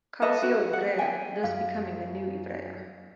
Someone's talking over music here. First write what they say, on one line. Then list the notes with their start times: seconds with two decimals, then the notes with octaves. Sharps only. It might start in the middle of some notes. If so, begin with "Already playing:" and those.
Calcio Ivrea, thus becoming the new "Ivrea".
0.22 A4 B4 D#5 E5
0.42 F#4
0.73 F#5
0.99 G5 G#5
1.44 F#2 F5